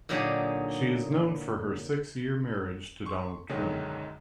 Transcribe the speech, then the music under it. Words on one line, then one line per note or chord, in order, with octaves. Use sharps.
She is known for her six-year marriage to Donald Trump.
A#2 D3 F#3 D#4 G4 G#4
C6 C#6
B1 F#2 D3 D#3 F#3 G#3